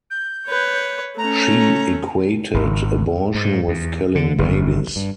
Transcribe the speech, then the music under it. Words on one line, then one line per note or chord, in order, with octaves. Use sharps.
She equated abortion with killing babies.
G6
B4 C#5
A3 C#4 A#5
G#1
G#2
E2
D3
G1
G2